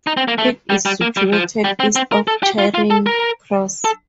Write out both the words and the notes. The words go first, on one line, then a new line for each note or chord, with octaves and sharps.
It is situated east of Charing Cross.
D#4
C4
A#3
A3
G3
G3
A#3
G3
F3
G3
C4
C4
A#4
A4
G4
F4
F4
A4
A#4
A4